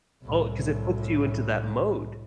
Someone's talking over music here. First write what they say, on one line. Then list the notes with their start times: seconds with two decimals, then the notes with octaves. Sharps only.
Oh, 'cause it puts you into that mode.
0.23 C2 A2